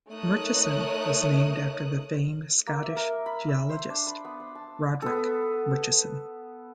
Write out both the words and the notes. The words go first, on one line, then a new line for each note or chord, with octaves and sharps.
Murchison was named after the famed Scottish geologist Roderick Murchison.
A3 D#4 A#4 C#5 D#6 F#6
A#3
E5
A#4
B5
E6
C5
D4
B5
B3
C5
A5
B3 A4